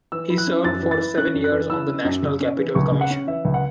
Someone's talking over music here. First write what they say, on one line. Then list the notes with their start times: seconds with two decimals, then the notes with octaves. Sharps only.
He served for seven years on the National Capital Commission.
0.12 E3 E6
0.30 E4
0.38 F#6
0.47 C#4
0.64 F#2 A6
0.83 E3
0.91 A6
1.00 E4
1.17 C#4 F#6
1.34 F#2
1.44 F#6
1.52 E3
1.70 E4 E6
1.87 C#4
2.04 F#2
2.22 C#3
2.40 C#4
2.57 E3
2.75 C#2 C#6
2.92 C#3
3.01 F#5
3.10 C#4
3.27 E3 E5
3.45 C#2
3.54 F#5